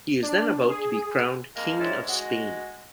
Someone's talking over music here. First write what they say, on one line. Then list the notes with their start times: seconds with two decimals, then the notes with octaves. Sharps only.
He is then about to be crowned King of Spain.
0.22 D4
0.69 G#4
1.56 F2 G#3 A#3
1.79 G#2 D#3 C#4 D4 E5
2.07 G#3 F#4